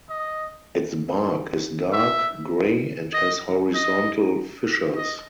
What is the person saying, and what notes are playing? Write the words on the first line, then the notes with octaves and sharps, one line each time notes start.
Its bark is dark grey and has horizontal fissures.
D#5
E5
D#5
D#5
D#5